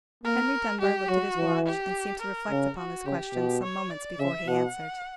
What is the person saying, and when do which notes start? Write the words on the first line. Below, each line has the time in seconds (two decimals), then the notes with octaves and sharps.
Henry Dunbar looked at his watch, and seemed to reflect upon this question some moments before he answered.
0.24 A#3 A#4
0.81 G3 G4
1.08 F#3 F#4
1.37 E3
1.65 G4
2.22 A#4
2.50 C#3
2.78 F#4
3.06 C#3 G4
3.34 B2
3.63 C#5
3.91 D5
4.19 C#3 E5
4.47 B2 F#5